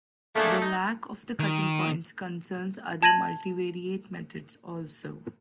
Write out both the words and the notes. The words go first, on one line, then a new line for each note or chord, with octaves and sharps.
The lack of the cutting points concerns other multivariate methods, also.
A3 A#3 D4 G#4
D#4
D#3
A5 G#6 A#6 D#7 F#7